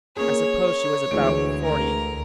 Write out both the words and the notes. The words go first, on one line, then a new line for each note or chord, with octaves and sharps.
I suppose she was about forty.
A#3 C#4 G#4 C#5
D2 E3 G#3 D7
A#4